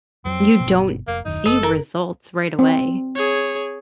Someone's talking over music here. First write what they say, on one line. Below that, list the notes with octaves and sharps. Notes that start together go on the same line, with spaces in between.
you don't see results right away,
F2 F#3 C4
G1 B2
F1 A#3
F#1 D#2 D#4
F#1 A4 D#5
A#4
C4
G#4 C#5